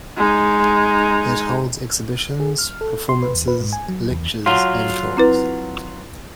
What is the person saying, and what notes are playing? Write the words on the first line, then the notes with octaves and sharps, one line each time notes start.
It holds exhibitions, performances, lectures and talks.
G#3 D#4
G#4
F6
A4
C6
B4
E2
B4
G#2
G#5
F#3
E2
F#3 F4
C4 E4 B4